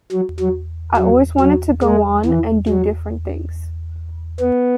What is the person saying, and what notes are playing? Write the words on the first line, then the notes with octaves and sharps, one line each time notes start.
I always wanted to go on and do different things.
F#3
F#3
F#3
F#3
G#3
E3
F#3
B3